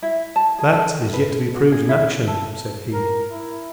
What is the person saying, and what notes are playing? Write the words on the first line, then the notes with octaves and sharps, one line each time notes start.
"That is yet to be proved in action," said he.
E4
A5
G#4
A4
B4
F#4
G#4
E4
A4
A#4
E4